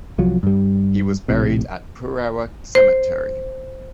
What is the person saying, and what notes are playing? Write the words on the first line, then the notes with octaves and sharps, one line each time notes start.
He was buried at Purewa Cemetery.
C2 F3 F#3
G2 G3
A#1 A2 C3
C5